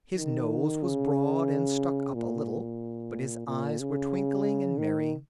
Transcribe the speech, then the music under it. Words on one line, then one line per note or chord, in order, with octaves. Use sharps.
His nose was broad, and stuck up a little; but his eyes were twinkling and merry.
D#3
C#3
A#2
A#2
C#3
D#3